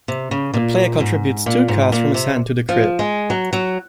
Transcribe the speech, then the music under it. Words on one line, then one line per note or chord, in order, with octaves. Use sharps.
The player contributes two cards from his hand to the crib.
C3
C#3
A#2
G#2
A#2
G#2
A#2
C3
F3
G#3
F#3
F#3